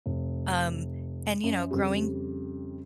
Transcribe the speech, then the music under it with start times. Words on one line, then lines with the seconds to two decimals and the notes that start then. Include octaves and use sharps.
Um, and, you know, growing
0.06 F1
1.44 F#2
1.71 F2 C#3 G3